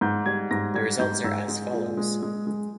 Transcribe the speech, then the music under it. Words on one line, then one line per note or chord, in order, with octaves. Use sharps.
The results are as follows.
G#2 G6
G3 G#6
G#2 A#6
G3 G#6
G#2 G6
G#2 E6
G#3
A#2
G#3
G#3
G#3